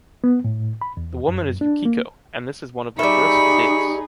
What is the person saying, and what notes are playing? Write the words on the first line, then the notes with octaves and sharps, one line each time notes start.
The woman is Yukiko, and this is one of their first dates.
B3
A2
B5
E2
F#2
D4
A#3
G3 D#4 G#4 E5 B5 C#6